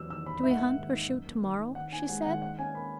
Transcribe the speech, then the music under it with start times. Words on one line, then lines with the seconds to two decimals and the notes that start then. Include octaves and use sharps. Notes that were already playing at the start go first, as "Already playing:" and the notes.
"Do we hunt or shoot to-morrow?" she said.
Already playing: E2 F#3 E6
0.10 D#3 E6
0.26 E2 B5
0.43 G#2 E5
0.50 F#5
0.59 A#3 E5
0.77 D#3
0.93 D#4
1.09 F#2
1.26 A#3
1.42 D#3
1.59 D#4
1.75 D#3 F#5
1.92 D#4 G#5
2.09 G#3 F#5
2.26 D#3 F#5
2.42 D#3 F#5
2.59 C#4 G#5
2.74 A#3 B5